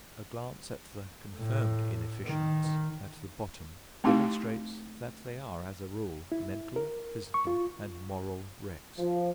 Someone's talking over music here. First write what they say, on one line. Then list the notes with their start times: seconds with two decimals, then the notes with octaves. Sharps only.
A glance at the confirmed inefficients at the bottom demonstrates that they are, as a rule, mental, physical, and moral wrecks.
1.37 A2
2.26 D#3
4.04 A3 C4 D#4 E4 G4 F5
6.32 E4
6.76 A#4
7.34 C#6
7.47 F4
8.99 F3